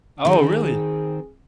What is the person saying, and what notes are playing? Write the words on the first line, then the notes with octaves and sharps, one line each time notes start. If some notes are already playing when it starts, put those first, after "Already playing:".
Oh, really?
D#3 C4 G#4